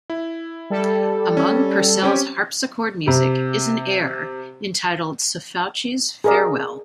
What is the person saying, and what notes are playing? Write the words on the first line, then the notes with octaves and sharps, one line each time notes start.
Among Purcell's harpsichord music is an air entitled "Sefauchi's Farewell".
E4
G3 A4
C#4
C4 C#4 G4
C3 G4
G#4 A#4 D5